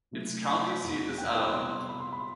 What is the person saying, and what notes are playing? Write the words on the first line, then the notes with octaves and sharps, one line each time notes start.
Its county seat is Alamo.
C3 F#3 A3
F#5
E2 B2 A3
G5
A5
B5
C3 G3 B3 C6
B5
C6
B5